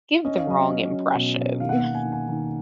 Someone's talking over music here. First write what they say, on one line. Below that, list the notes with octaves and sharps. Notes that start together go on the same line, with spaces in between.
give the wrong impression.
C#4 D#5
F5
F#3 D#5
C#4
C#4
B2
B2
D#3 F5
F#5
A#3 F5
G#5
D#3
G#5
D#3